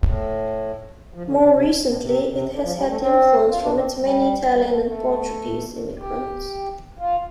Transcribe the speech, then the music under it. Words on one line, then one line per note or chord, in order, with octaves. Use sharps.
More recently, it has had influence from its many Italian and Portuguese immigrants.
A2
F3
D3
C3
C3
A2
C3
C3
D3
F3
G3
A3
C4
F4
D4
C4
G3
G3
A3
A3
G4
F4